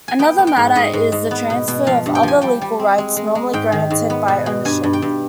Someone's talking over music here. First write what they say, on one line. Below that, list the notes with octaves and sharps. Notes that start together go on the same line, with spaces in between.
Another matter is the transfer of other legal rights normally granted by ownership.
G#5
B3 G5
B3
G5
G#2
G#2 D#5
G#2
G#2
B3
B2
B2
F3 F5
G2
G5
F3 G#5
G3 G5
G3
C4
G#3
G#3
G#3
G#2 G5
D#3
G#2
B3
B2
B2
G2 G#5
G2
G5
G2